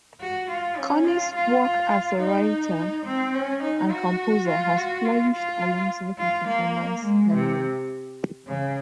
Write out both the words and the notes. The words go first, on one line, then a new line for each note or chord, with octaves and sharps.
Connie's work as a writer and composer has flourished alongside her performance career.
F#4
F4
C#4
F4
F4
F4
D#4
C4
C#4
D#4
F#4
F4
F#4
F4
F4
F4
A#3
G#3
C3
C#3